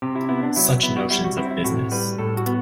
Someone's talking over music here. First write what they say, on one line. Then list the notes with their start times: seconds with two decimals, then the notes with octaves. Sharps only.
Such notions of business!
0.02 C3 G4
0.15 E4
0.29 B3 E4
0.43 D4
0.56 F#3 E4
0.83 B3 E4
0.96 F#4
1.10 G3 E4
1.24 F#4
1.37 C4 E4
1.51 E4
1.64 A2 F#4
1.92 G3 B4
2.18 A2 A4
2.37 F#4
2.46 B3